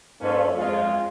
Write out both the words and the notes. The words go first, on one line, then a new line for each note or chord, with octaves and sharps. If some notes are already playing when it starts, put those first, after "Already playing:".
Oh, yeah.
A#3 C#4 F4 A4 B4 C5
G#3 F4